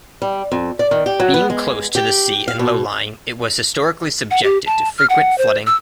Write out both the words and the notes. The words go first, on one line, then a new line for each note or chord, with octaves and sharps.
Being close to the sea and low-lying, it was historically subjected to frequent flooding.
G3
F2
D5
D#3
G4
F#3
B3
G#3
G4
F5
B2
F#5
G4
A5
F6
F#5
C5
E6